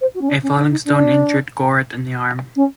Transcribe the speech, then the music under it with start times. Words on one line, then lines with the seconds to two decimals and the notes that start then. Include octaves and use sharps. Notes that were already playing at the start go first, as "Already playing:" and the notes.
A falling stone injured Gorret in the arm.
0.01 C5
0.14 F#4
0.21 C#4
0.28 D4
0.43 C#4
0.56 D4
0.71 D#4
0.85 D4
2.56 C#4